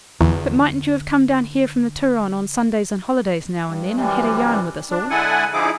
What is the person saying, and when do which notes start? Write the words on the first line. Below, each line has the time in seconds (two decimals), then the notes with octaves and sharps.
But mightn't you have come down here from the Turon on Sundays and holidays now and then, and had a yarn with us all?'
0.21 E2 D3
3.68 G2
3.96 F#2 C3 E3 G3
4.90 D4
5.10 D3 G#3 E4 A4 F#5 G#5
5.53 D3 F3 D#4 E4 G#4 D6